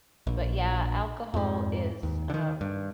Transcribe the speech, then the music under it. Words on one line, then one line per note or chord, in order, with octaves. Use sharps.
but yeah alcohol is, um
A#1
F2 G#2
D#2
D3 D#3
G2